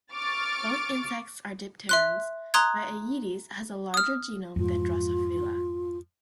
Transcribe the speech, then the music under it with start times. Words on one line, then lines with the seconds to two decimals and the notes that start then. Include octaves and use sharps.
Both insects are dipterans, but "Aedes" has a larger genome than "Drosophila".
0.13 C#6 D6 F6 A6
1.89 E5 C6 F#6
2.54 A#5 C6 D#6 F#6 G#6
3.94 D#6 F6
4.56 F2 G#2 F4